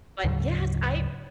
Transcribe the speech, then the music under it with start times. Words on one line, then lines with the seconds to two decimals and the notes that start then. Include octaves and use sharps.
But yes, I
0.24 D2 G#2 C#3 F#3